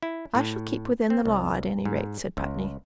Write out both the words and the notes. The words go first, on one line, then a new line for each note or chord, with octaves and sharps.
"I shall keep within the law, at any rate," said Putney.
E4
A2
C4
C2
G#2
C#2